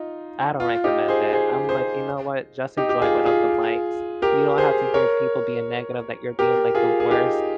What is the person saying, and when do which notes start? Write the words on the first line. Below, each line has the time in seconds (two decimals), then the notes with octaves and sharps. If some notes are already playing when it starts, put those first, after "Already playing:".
I don't recommend it, I'm like, "You know what? Just enjoy it without the mics." You don't have to hear people being negative that you're being, like, the worst
Already playing: D#4 F4
0.60 F4
0.84 D#4 G4
1.08 G#4 C5
1.33 G#4 C5
1.69 G#4 C5
2.77 D#4 G4
2.89 G4
3.02 F4 G#4
3.26 F4 G#4
4.22 G4 A#4
4.58 G#4 C5
4.94 A#4 C#5
6.39 G4 A#4
6.75 F4 G#4
7.00 G#4
7.11 D#4 G4